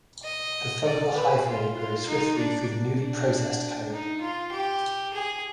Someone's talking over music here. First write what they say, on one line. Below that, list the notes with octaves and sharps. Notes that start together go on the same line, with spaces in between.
The fungal hyphae grow swiftly through the newly processed comb.
D#5
D5
B4
F4
F4
D#4
D4
D4
D#4
F4
G4
G#4